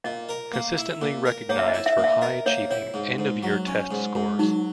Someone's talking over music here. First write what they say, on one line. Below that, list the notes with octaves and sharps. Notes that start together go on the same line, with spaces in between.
Consistently recognized for high achieving end of year test scores.
A#2 D#5
A#4
A#3
E4
A#2
A#4
A#3 C#5
E5
D#5
E4
E5
A#2
E5
A#4 D#5
A#3 C#5
E4 C#5
G#2
G#2
F#3
C#4
G#2
G#2
F#3 D#4